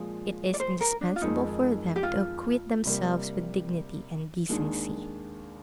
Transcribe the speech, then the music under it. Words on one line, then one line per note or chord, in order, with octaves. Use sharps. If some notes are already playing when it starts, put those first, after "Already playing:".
It is indispensable for them to acquit themselves with dignity and decency.
Already playing: A#2 F3 G#3
D5
C5
A#4
D4
F4
F2 D#3 G#3 D#4
G4
F4
C3 G3 A#3
D#2 D#3 G#3 D4